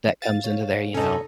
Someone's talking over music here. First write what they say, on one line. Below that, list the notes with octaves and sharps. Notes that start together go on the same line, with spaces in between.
that comes into there, you know,
F5 A6
C#5 F5
E2 C3 C#4 D#4 A4